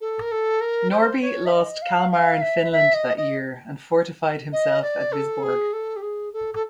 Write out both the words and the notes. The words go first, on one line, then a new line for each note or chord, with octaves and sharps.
Norby lost Kalmar and Finland that year, and fortified himself at Visborg.
A4
A#4
A4
A#4
C5
C#5
E5
D#5
F5
F5
E5
E5
D#5
D#5
D#5
D5
A4
G#4
A4
G4
G#4
A4
A4